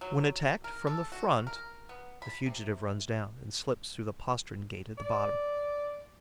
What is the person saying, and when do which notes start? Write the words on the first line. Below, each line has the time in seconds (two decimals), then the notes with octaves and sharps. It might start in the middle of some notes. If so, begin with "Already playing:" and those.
When attacked from the front, the fugitive runs down and slips through the postern-gate at the bottom.
0.01 F#3
0.64 A#4
0.87 A4
1.12 F#4
1.47 A#4
1.89 B3
2.22 B5
2.46 C3
4.98 D5